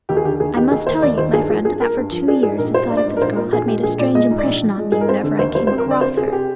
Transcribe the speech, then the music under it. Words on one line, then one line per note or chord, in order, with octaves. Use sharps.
I must tell you, my friend, that for two years the sight of this girl had made a strange impression on me whenever I came across her.
D#2 G4
G#4
D3 G4
D#2 G#4
D#3 G4
D#2 G#4
A#3 C5
D#2 D5
D#3 C5
G2 G#4
F3 G#4
G2 G#4
A#3 A#4
G2
F3
D4 G#4
G#2 G#4
A#1 A#4
G3 C5
D4
D5
G#2
A#4
A#1 C5
A#2 A#4
A#1 G#4
G#3 G4
A#1 G#4
A#2 D5
G#3 D#5
G#2
D5
A#1
F3
G#3
G#2 G#4
A#4
C4 C5
D3
D#2 C5
G3 C5
C5
C4
A#4
D3
D5
C4 C5
C3 G#4
G#4
G4